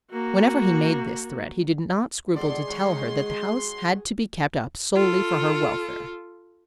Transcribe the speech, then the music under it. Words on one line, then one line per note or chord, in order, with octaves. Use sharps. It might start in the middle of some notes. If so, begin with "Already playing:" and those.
Whenever he made this threat he did not scruple to tell her that the house had to be kept up solely for her welfare.
A#3 F#4
F1 B2 G#4 A4 D5 C6
D#3 F#3 G#3 C#5
F4 A4